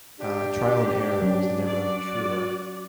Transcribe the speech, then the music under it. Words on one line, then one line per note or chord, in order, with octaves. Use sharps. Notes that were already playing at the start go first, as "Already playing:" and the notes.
uh, trial and error was never truer
D4 G4
F#3 C#4
F#4 D5